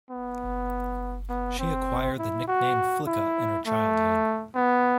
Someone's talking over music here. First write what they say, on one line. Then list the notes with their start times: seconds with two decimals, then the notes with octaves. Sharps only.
She acquired the nickname "Flicka" in her childhood.
0.11 B3
1.29 B3
1.59 C4
2.18 E4
2.48 F#4
3.07 E4
3.66 A3
4.55 B3